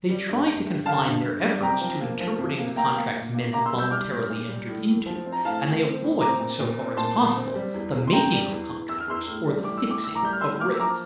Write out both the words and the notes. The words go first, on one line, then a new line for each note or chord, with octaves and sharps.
They try to confine their efforts to interpreting the contracts men have voluntarily entered into, and they avoid, so far as possible, the making of contracts or the fixing of rates.
G3
G2
G2
G2
D3 F5 A5
G2
G2
G3
C3 G5 A#5
F3
A#3
F3
C3
A#3
A#3 G5 A#5
A#3
A#2
A#3
A#3 A#5 D6
C6 E6
G3
E6 G6
G3 D6 F6
A#2
A#2
G3
A2
A2
F3
C4
A#5
A2 F5 A5
A2
C4
A2
C4 A#5 D6
A#2
A#2
C4
A#2 A5 C6
A#2
C4
G3
E2
E2
C6
E2 G5 A#5
G3
E2
E3
E2 E6
F6
E2 C6 E6
A2
G3
A2 D6
E6
A2
D6
A2 E6
A#5 D6
G3 G6
F6
A2 C6 E6
A#3 D6 F6
E6
F3 A#5 D6